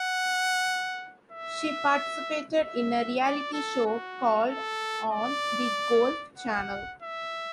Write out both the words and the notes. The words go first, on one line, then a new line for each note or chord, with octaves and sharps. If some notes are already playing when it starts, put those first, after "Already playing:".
She participated in a reality show called on the Golf Channel.
Already playing: F#5
E5
E5
D5
A4
F#4
A4
D5
F#5
E5